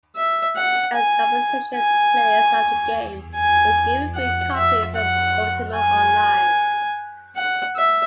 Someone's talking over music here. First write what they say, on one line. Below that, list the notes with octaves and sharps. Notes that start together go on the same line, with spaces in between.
As compensation, players of the game were given free copies of Ultima Online.
E5
F#5
G#5
G#5
G#5
F#5
E5
F#5
G#5
F#5
E5